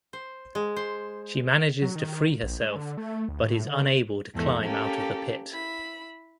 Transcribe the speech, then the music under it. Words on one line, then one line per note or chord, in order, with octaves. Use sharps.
She manages to free herself but is unable to climb out of the pit.
C5
G#3
C5
F#3
D#3
A#1
G#3
D3
A3
D2
A2
D3
E2 G#2 A3
A#3 C#4 G4 A4
E4 B5